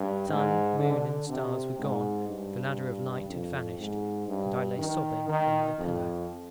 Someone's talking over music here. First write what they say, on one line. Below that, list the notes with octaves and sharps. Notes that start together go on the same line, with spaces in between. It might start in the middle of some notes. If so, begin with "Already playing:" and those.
Sun, moon, and stars were gone; the ladder of light had vanished; and I lay sobbing on my pillow.
Already playing: G2
G#2
D3
C3
G#2
G2
F2
G#2
G2
D#3
D#3
F2